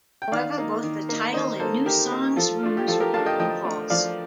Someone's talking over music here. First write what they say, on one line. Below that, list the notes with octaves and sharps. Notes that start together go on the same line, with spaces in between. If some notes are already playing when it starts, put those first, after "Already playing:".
However, both the title and new songs rumors were proven false.
G5
D#3 D5 F5
A#3 D#4
D#3
A#3 D#4
D#3 C5 D#5
A#3 D#4 A4 C5
D#3 G4 A#4
A#3 D#4
F3 F4 A4
A3 D4 F4
G4
F3 F4 A4
G4 A#4
A3 D4 F5 A5
D#5 G5
F3 D#5 G5
A3 D4
F3 D5 F5